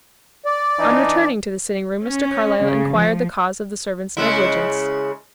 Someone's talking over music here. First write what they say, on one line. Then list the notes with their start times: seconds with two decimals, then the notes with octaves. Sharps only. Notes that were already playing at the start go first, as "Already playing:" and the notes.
On returning to the sitting-room Mr. Carlyle inquired the cause of the servants' negligence.
0.45 D5
0.79 E3 D4 D#4
2.04 C#4
2.63 C#3
2.92 F3
4.17 C#3 G#3 E4